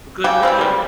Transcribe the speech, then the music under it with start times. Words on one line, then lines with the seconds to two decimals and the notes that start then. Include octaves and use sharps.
Well, good for you.
0.24 C#3 G4
0.43 E3 G3 C4
0.61 G3